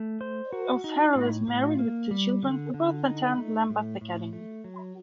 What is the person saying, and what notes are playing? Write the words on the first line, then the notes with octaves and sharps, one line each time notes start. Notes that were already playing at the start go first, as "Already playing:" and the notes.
O'Farrell is married with two children, who both attended Lambeth Academy.
Already playing: A3
C5
F#4
D#4
A2
A2
A#3
G3
D3
D3
D#4
A3
A2
A2
A3
F#3